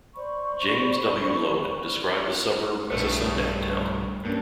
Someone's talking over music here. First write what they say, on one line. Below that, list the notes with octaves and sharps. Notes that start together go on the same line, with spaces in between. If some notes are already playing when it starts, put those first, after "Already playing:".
James W. Loewen described the suburb as a sundown town.
C5 D5 B5 C#6
B1 G2 A3 B4 C#6
G2 A#3 C#4